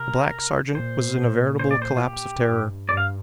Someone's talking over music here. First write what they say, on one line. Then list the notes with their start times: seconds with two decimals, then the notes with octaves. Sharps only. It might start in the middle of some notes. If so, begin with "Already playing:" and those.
The black sergeant was in a veritable collapse of terror.
Already playing: C3 A#4
0.74 A#2 C5
1.17 A#2
1.59 C5
1.71 D5
1.82 C5
1.97 F4
2.03 G4
2.46 G2
2.88 G2 D5
2.97 F5